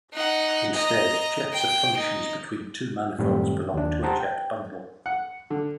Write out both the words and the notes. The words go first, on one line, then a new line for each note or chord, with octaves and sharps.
Instead, jets of functions between two manifolds belong to a jet bundle.
D#4 F#5
D#5 A#5
G5
D#4
F#2 A2 D#3 G3 C4 G4
D#2 D4
G4 C5 F#5 A5 A#5
G5
F#5
D3